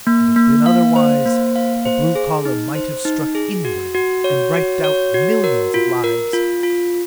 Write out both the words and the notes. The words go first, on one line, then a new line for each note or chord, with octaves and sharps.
Had it been otherwise, the blue column might have struck anywhere, and wiped out millions of lives!
A#3
A#3
F5
C5
A#3
F5
C5
G#4
D#4
C5
D#4
G#4
F#4
F#4
C#5
F#4
C#5
F#4
A#4
F4
A#4
F4
F4